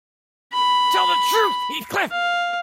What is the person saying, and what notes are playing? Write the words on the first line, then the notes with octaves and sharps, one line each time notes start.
Tell the truth, Heathcliff!
B5
F5